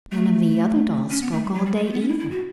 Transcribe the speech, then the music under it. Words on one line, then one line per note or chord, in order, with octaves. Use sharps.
None of the other dolls spoke all day, either.
A3
C#4
B3
A3
G3
F#3
G3
G3
A3
B3
C#4
E4
E4
F#4